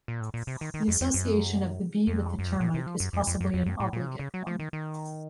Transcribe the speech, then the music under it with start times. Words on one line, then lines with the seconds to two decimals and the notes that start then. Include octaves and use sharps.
The association of the bee with the termite is possibly an obligate one.
0.08 A#2
0.21 A2
0.34 A#2
0.47 C3
0.61 D#3
0.74 D#3
0.88 F2
1.01 F2
1.14 F#2
2.07 F2
2.39 F#2
2.47 F2
2.60 A#2
2.74 C3
2.87 F3
3.00 F#2
3.13 F2
3.27 F2
3.41 F#2
3.54 F2
3.66 F#2
3.80 A2
3.93 A#2
4.01 C#3
4.07 C3
4.19 C#3
4.34 F#3
4.47 F3
4.59 D#3
4.73 D#3